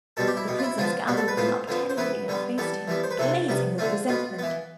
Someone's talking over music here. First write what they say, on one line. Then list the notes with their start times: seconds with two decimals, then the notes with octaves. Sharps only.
The princess gathered them up tenderly and faced him, blazing with resentment.
0.17 B2 G3 C4 A4
0.27 G4
0.37 E4
0.48 B2 B3
0.59 F4
0.63 E4
0.78 D3 F3 B3 F4
1.08 B2 G3 C4
1.17 A4
1.28 B4
1.37 A2 F3 B3 C5
1.68 D3 F3 B3
1.90 C5
1.97 E3 B3 B4
2.28 D3 G3 B3
2.58 E3 G3 B3 A4
2.88 E3 G3 B3
3.04 C5
3.11 B4
3.18 C3 E3 A3 C4 A4
3.49 C3 G3 B3
3.78 D3 A3 C4 F4
4.08 B2 B3 F4
4.39 E3 B3